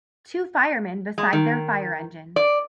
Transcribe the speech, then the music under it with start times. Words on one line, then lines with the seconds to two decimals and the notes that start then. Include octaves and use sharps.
Two firemen beside their fire engine.
1.18 G#3
1.33 D#3
2.36 D5